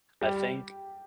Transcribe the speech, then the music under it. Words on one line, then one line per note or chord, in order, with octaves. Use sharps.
I think
G3 G4